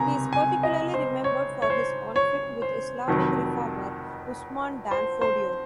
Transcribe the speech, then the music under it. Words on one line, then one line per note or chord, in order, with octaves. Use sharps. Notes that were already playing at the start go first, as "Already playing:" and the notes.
He is particularly remembered for his conflict with Islamic reformer Usman dan Fodio.
Already playing: C#2 C3 D#3 G#5 A#5
G#5
D#5
C5
C#5
C#5
C5
C#5
C5
F1 F2 D#3 F#3
C5
C5